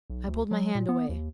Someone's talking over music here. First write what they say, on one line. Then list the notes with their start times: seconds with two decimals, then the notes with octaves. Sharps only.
I pulled my hand away.
0.10 B1
0.28 D2
0.51 F#3
0.75 A#2
0.89 B3
1.09 D#2